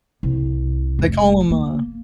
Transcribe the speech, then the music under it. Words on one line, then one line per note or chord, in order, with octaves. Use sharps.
they call 'em, uh
C2
F1
A#3